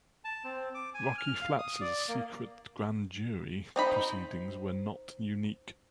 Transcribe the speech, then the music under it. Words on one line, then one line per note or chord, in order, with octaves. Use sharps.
Rocky Flats' secret grand jury proceedings were not unique.
A5
C4
D6
G#5
F6
F5
D#6
D5
A#3
C4 D#4 B5